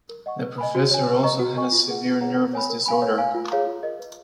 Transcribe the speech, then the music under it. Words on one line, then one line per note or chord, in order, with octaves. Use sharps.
The professor also had a severe nervous disorder.
A#4
D#5 F#5 C#6
B4
D#5 G#5 B5
F#4
C#5 G#5
B4
D#5 A#5 C#6
F#4
A#4 D#5 G#5 C#6
F4
G#4 B4 F#5
F4
G#4 C#5 F#5 A#5
A#4
C#5 G#5 B5
A#4
F5 G#5 B5
C#5
F5 G#5
F4
G#4 C#5 F5 A#5
F4
A#4 D#5
B4